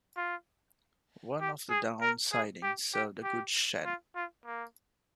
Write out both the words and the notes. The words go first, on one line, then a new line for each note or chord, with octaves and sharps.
One of the down sidings served a goods shed.
F4
G4
G#4
A#4
G#4
G4
G4
G4
F4
F4
A#3